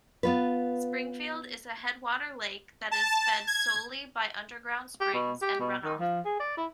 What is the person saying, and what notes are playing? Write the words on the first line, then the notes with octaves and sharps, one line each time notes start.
Springfield is a headwater lake that is fed solely by underground springs and runoff.
B3 F4 B4
A5
G#6
G4
B2
G4
B2
D#3
F3
G#4
D5
E4